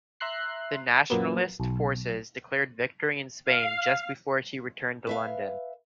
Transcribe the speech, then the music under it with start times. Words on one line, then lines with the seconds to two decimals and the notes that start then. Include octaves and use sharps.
The Nationalist forces declared victory in Spain just before she returned to London.
0.20 E5 A#5 C6 F#6 C7
1.10 F#2 A#2 F#3 A#3 B3
1.60 B1
3.44 F5
5.07 B4 E5 F5